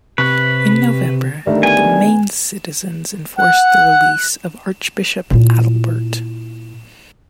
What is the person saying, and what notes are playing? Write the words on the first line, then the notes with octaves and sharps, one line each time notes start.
In November, the Mainz citizens enforced the release of Archbishop Adalbert.
C3 B4 C#6
D3 D#3 G3 A3 A#4
B3 G#5
F#5 F#6
A#2 E4